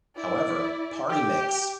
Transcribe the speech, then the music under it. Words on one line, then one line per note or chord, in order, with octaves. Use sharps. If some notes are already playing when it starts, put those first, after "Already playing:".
However, Party Mix!
E4 D5
G4